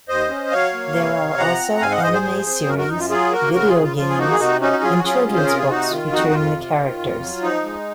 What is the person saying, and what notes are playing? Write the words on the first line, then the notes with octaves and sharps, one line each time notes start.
There are also anime series, video games and children's books featuring the characters.
D#2 C5 D#5
C#4
F#3 C#5 F5
A#3
C3
C3
F3 F#5 A#5
C4
G#2 F5 G#5
D#5 F#5
F5
G#2 C5 D#5
G#4 C5
F3
C4
F#2 F#4 A#4
F#4 A#4
F#2 D#4
F4
F#3 F4 G#4
A#3 F#4 A#4
C#3 F#4 A#4
F4 G#4
C#3
F4
F3 F4
G#4
A#3 D#4 F#4
G#4
C3 D#4 F#4
C#4 D#4 F#4
F#4
F#3 F4 G#4
F#4
C#4 F4 G#4
C3
C5
C3 A#4
G#4
C3 D#4 F#4
D#3 F4
F2 D#4 F#4
D#4
F2 F4
C3
D#3
F2
F#3
F3 D#4
G#3